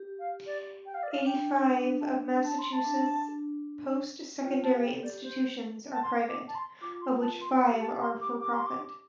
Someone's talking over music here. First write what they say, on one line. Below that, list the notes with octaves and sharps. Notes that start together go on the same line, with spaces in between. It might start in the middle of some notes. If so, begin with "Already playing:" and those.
Eighty-five of Massachusetts' post-secondary institutions are private, of which five are for-profit.
Already playing: G4
F5
D5
G5
F5
D5
F5
D4 G5
D4
D4
A5
G5
A5
C6
A5
D4
F4 G5
G4 A5
F5
A4 G5
G4 D5
C5
A5
C6
D6
A5
C6
F4 D6
C6
A5
C6
G4 C6
A5
C6
D6
D6
C6
D6